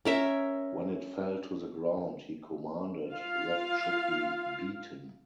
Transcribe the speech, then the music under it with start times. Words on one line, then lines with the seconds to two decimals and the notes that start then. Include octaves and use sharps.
When it fell to the ground he commanded that it should be beaten.
0.05 C#4 A#4 E5
3.11 F4 F5